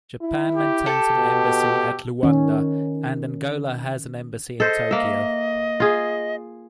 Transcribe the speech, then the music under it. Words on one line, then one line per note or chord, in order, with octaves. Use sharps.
Japan maintains an embassy at Luanda and Angola has an embassy in Tokyo.
E4
G4
A4
B2
D#3 C#4
A4 C5 D#5
A#3 E5
F4 G#4